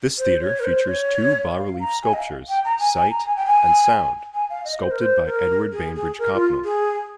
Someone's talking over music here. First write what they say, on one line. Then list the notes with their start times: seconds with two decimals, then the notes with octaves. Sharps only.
This theatre features two bas-relief sculptures, "Sight" and "Sound", sculpted by Edward Bainbridge Copnall.
0.18 C5
0.41 C#5
0.60 A#4
0.64 C5
0.87 C#5
1.57 F5
1.80 A#5
2.03 G#5
2.13 D#5
2.19 F5
2.49 G5
2.65 A#5
2.79 G#5
2.95 G#5
3.10 A#5
3.26 G#5
3.36 G5
3.46 G#5
4.34 G#5
4.50 F5
4.65 D#5
4.80 C5
4.91 A#4
5.01 C5
5.26 A#4
5.73 G#4
5.96 G#4
6.19 A#4
6.35 F4
6.64 G#4